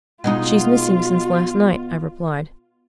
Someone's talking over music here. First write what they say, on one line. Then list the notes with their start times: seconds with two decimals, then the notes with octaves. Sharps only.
"She's missing since last night," I replied.
0.24 B2 G#3 D#4 F4